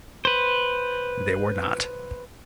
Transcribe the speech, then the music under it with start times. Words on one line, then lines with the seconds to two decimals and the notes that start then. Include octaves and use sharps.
They were not.
0.25 B4 C5